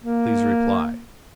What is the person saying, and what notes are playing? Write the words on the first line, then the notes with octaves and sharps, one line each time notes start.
Please reply.
A#3